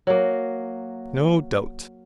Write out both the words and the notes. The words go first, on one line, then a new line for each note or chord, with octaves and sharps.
No doubt.
F#3 A#3